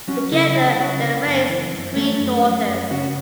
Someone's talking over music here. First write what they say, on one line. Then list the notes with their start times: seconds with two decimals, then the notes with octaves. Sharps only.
Together they raised three daughters.
0.07 F#3 C#4 F#4
0.32 C#3 E4 A4
0.55 F#3 E4 A4
0.78 C#3 C#4 F#4
1.02 C#3 B3
1.26 F#2
1.49 E3
1.73 F#2
1.96 F#3 A3 C#4
2.20 F#2
2.44 F#3
2.67 F#2
2.91 C#3 C#4 F#4